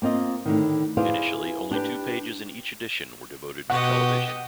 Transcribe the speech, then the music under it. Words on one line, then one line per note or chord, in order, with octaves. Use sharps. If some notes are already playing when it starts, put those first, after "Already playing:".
Initially only two pages in each edition were devoted to television.
A#3 C4 F4 D#5
A2 D3 D#3
E4 G#4 B4 C5 D5 F5
D4 G4 B4
B2 G4 D#5 F#5 C#6